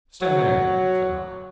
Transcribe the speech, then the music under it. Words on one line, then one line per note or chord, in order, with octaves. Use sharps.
"Stand there," said I.
F#3